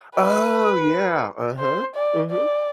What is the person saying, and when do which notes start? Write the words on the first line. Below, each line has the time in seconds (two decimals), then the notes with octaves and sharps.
Oh, yeah, uh-huh, mhm.
0.17 B4
1.59 C5
1.95 D5
2.31 D5